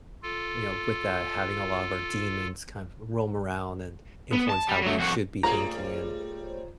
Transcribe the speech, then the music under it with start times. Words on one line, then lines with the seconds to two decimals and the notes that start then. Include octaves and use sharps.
you know, with that having a lot of our demons kind of roam around and influence how we should be thinking and
0.23 F4 A4
4.33 B3
4.50 A5
4.69 G3
4.82 F#3 A3
4.99 F2 F#4
5.43 G3 A3 F4 G#4 C5 C#5 A#5